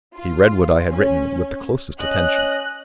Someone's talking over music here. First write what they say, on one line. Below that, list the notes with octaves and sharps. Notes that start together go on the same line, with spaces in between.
He read what I had written with the closest attention.
F4
C#4
C#4 D#5 F#6